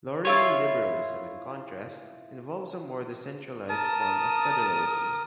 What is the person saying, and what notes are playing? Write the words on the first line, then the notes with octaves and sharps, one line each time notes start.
Laurier liberalism in contrast, involves a more decrentralized form of federalism.
E4 F4 C#5
A#4 A5 D#6